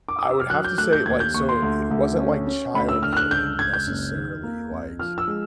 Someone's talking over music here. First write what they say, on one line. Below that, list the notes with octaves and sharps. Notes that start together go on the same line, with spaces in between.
I would have to say like, so it wasn't like childhood necessarily, like,
D6
D#6
E6
F6
F#3 F#6
G6
A3 F#6
G6
D#2 G#6
G6
D#2 C#6
C6
D2
D2
C#4
C#4
D2 B5
E6
D3 F6
F6
F#6
C#2 G6
C#2 G#6
G6
F#1
D#3
A#3
F2
F3 F6
E6
G#3